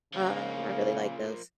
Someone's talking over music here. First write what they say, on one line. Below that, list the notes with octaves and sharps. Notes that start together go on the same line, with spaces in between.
um, I really like those.
C#3 F3 A#3